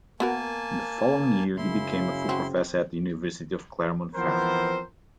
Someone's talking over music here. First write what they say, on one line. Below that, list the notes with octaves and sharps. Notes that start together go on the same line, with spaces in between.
The following year he became a full professor at the University of Clermont-Ferrand.
A#3 B3 F#4 A#4 G#5 A5
F#2 C#3 E4 C6
C4 F#4
E3 F3 B3 C4 A#4 C5